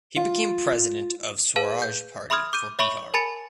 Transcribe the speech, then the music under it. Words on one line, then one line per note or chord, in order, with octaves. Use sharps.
He became President of Swaraj Party for Bihar.
F4
G#4 B4 F5 A5
G6
E5 B5 C6 D#6 F6 G#6
D6 G6 D#7
C#5 E5 B5 C#6 F#7
A#4 G#5 A5 B5 A6 C#7